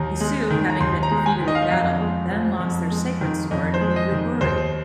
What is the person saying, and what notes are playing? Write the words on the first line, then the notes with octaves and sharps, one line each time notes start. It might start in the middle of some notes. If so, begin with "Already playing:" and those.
The Sue, having been defeated in battle, then lost their sacred sword the Yugiri.
Already playing: D#2 D#3 A#5
G#3
D#3
A#5
D#2 C6
A#5
G#3
A#5
G#5
D#3
D#5
F5
D#5
F2 F5
G#3
F3
F2
G#3
D#3
F2 D#5
C5
G#3
D#5
D#3
D#5
D#2 C5